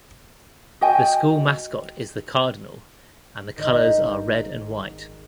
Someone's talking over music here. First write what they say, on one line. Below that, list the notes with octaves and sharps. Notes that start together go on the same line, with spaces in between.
The school mascot is the Cardinal and the colors are red and white.
F#4 D#5 G5 G#5
G#1 D#4 A#4 D#5 G6 B6